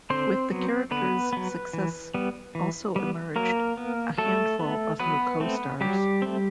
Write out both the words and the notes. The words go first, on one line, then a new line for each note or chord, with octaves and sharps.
With the character's success also emerged a handful of new costars.
D3 C4 C5
F#3 B3
D3 B3 B4
F#3 B3
E3
G3 B3
E3
G3 B3
F#3 A#3 A#4
B3
F#3 A3 A4
B3
F#3 B3 B4
A3 C4
F#3 G3 G4
A3 C4